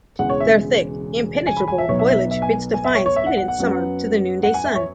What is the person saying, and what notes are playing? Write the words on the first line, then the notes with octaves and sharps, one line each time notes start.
Their thick impenetrable foliage bids defiance even in summer to the noonday sun.
E1 E2 C#3 G#3 F#5
C#5
E5
G#5
B5
G#5
E5
B1 B2 F#3 C#5
E5
E5
E5
G#5
G#5
E5
C#5
C#5
E5
F#5
F#5
F#5
F#2 F#3 B3
F#5
G#5
E5
C#5